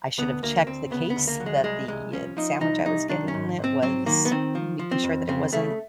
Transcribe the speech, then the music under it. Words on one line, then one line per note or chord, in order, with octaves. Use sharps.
I should’ve checked the case that the, uh, sandwich I was getting, was making sure that it wasn't
D2 B3
D2 A#3
D2 C4
C#3 B3
B3
D2
A#3
F#3
G#3
C2 G#3
C2 G#3
F3 C#4
F3 D#4
C2 D#4
C2 D#4
D#3 D4
C#4
G#2
G#2
C4
F#3 C4
D#3 A#3
B3
D#3 C4
F3
F3
C4
F2
C#3 C4
C#3 A3